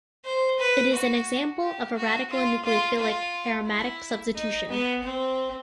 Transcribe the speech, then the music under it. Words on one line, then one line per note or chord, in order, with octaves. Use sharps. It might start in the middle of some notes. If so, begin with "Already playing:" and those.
It is an example of a radical-nucleophilic aromatic substitution.
C5
B4
F#4
G4
F#4
F4
F4
F4
E4
D#4
B3
C4